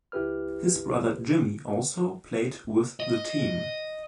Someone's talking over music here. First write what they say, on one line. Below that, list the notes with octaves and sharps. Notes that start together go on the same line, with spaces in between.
His brother Jimmy also played with the team.
C#2 E4 G4 B4 F6
D#5